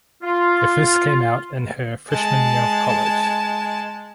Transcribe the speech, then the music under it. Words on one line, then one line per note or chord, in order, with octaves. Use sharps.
They first came out in her freshman year of college.
F4
G#3 A5